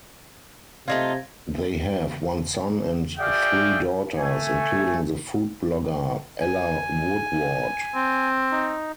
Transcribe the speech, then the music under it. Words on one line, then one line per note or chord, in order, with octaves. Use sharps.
They have one son and three daughters, including the food blogger Ella Woodward.
C3 A3 D#4 F4 F5 G#6 A#6
F#4 G#4 D5 E5 F5 G5
A3 G#5
G#5
C4
D#4